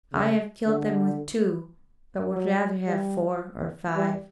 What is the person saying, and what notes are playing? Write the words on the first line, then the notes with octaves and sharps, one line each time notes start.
I have killed them with two, but would rather have four or five.
C#3
D3
F#3
G3
G3